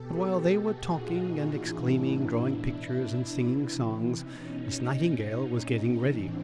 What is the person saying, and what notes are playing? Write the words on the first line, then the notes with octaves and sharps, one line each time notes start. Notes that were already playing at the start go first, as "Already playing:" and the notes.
But while they were talking and exclaiming, drawing pictures and singing songs, Miss Nightingale was getting ready.
Already playing: B2 G4 A4
G4 A4
A#2 F#4 G#4
D#4 F4
D#4 F4
A2 E3 D4 E4
B2
C3 E3
B2 C#4 D#4
A#2
A2 E3 C4 D4